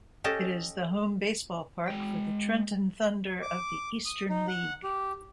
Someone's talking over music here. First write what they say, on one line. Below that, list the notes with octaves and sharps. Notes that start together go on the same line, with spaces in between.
It is the home baseball park for the Trenton Thunder of the Eastern League.
C#4 G4 A4 D#5
G#3 G5
D6
D#6
D#4
F#5
G4